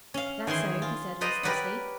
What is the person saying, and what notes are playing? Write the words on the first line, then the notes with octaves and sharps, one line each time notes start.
"That so?" he said listlessly.
C#4 F5
D#3 E3 G#4 C6
F4
B4 C5 D5 D#5 A#5 B5
G4 A#4 B4 C#5 D5 F#5